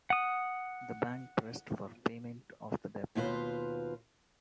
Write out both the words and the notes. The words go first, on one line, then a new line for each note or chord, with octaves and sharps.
The bank pressed for payment of the debt.
F#5 D#6
D#2 B2 F4 B4 C5